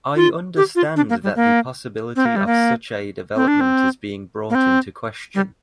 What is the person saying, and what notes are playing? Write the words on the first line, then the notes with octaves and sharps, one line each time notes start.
I understand that the possibility of such a development is being brought into question.
F4
G4
F4
D4
A#3
G3
A#3
C4
A#3
G3
A#3
C4
D4
C4
A#3
C4
G3